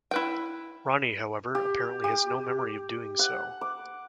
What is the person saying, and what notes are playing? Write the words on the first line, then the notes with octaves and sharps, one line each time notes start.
Ronnie, however, apparently has no memory of doing so.
E4 B4 G5
G4
G4
F#5
D6